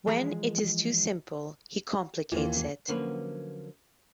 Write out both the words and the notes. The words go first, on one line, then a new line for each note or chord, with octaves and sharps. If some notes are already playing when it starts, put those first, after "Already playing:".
When it is too simple, he complicates it.
E3 F3 G#3 G#4 A#5
D#2 E3 F4
D3 F3 F#3 A#3 C#4 B4